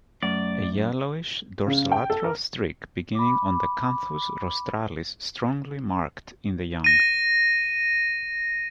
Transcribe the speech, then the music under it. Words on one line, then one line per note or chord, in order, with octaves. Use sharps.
A yellowish dorsolateral streak beginning on the "canthus rostralis" strongly marked in the young.
F#2 A3 D5
C#3
G5
A4
A#4
B5 D6
A#6 D#7